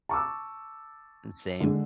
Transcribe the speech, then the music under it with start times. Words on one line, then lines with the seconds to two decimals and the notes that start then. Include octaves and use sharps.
And same.
0.09 A5 C#6 D6 E6
1.61 D3 G#3